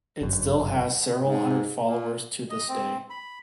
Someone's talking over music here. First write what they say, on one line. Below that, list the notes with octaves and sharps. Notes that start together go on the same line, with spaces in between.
It still has several hundred followers to this day.
G1 F#2
G#2
A#2
D#5
C4
B5